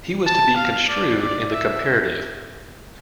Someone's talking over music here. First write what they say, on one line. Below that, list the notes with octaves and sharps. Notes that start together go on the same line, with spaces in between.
He was to be construed in the comparative.
A5
F5
D5
D5
E5